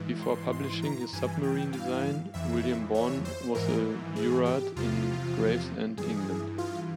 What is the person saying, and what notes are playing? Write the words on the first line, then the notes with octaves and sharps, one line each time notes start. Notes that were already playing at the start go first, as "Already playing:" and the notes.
Before publishing his submarine design, William Bourne was a jurat in Gravesend, England.
Already playing: G#2 E3
C6
C6
A#5
G2 E3 G#5
G5
F5
F2 E3 E5
C#5
C5
G#2 E3 A#4
G#4
G4
E2 C3 F3 F4
G2 E3 G#4
F4